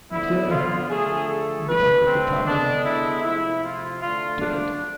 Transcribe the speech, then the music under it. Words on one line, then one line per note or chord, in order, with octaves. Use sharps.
"Up there--in the back of the cavern--dead!"
D3 F3 B3 E4
F4
D3 F3 A3 G#4
A4
D3 A3 B4
C4
D3 G#3 B3 D4
E4
C3 F3 A3 E4
F4
D3 A3 F4
D4